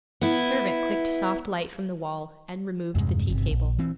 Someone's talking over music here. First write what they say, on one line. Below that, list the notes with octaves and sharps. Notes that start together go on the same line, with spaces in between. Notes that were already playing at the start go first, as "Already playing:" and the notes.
A servant clicked soft light from the wall, and removed the tea-table.
B3 E4
E2 G2 C3 G#3
G1 C3
A#1
E3 C4